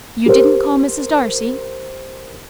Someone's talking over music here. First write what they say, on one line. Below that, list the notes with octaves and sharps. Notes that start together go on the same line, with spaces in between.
"You didn't call Mrs. Darcy?"
G4 A#4 C5